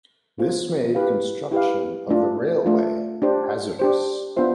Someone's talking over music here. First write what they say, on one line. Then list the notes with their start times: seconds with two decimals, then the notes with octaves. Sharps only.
This made construction of the railway hazardous.
0.39 B3 F4 C5
0.95 E4 G4 B4 F5
1.52 E4 G4 B4 F5
2.09 A3 D4 F4
2.66 A3 D4 F4
3.22 D4 G4 C5
3.79 D4 G4 C5
4.36 B3 D4 F4 C5 E5